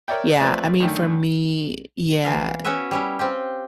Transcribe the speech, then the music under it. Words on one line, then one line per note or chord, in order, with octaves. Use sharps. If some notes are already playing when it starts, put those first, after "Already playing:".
Yeah. I mean, for me, yeah,
A#4 C#5 D5 E5 G5
F3 A3 C4 B4 D5 E5
F#2 D3 D#3 A3 G5
E3 F5
B3 C#4 E4 F#4 B4 E5
G3 C#4 E4
C4 F4 G4